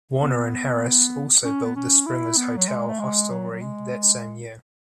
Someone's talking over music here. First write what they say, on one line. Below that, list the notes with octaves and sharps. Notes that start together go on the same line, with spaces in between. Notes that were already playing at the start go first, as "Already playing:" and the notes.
Warner and Harris also built the Springer's Hotel hostelry that same year.
B3
C#4
B3
C#4
E4
B3
F#3
G#3
A3
G#3
F#3
F#3
G#3